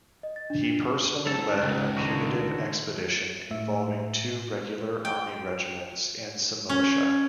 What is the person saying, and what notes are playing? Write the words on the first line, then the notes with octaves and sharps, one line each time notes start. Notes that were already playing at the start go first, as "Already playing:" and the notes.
He personally led a punitive expedition involving two Regular Army regiments and some militia.
D#5
A6
D4
D4
G#2 A4
C#2 G#2
D3 D#3 F#4
A2 E5
G5
C#4